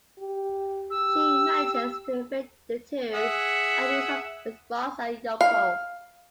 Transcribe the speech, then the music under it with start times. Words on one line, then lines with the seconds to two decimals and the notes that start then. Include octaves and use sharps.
She manages to evade the two and meets up with Ross and Yoko.
0.19 G4
0.90 G4 E6
3.14 G#4 E5 F#5
5.41 F5